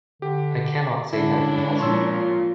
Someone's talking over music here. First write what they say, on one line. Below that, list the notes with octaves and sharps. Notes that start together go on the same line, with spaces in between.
I cannot say that he hasn't.
D3 G4
D3 G#3 C#4 D4 E4
A#2 F3 E4 C#5 C6 E6
F4